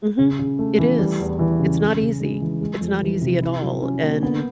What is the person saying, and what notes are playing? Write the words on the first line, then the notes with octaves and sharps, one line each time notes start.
Mhm, it is, it's not easy, it's not easy at all, and,
C#3
C#3
A3
E3
G3
E2
E3
C#3
C#3
C#3
G#3
E3
G#3
F2
E3
C3
E4
F#3
C#4
A#3
B3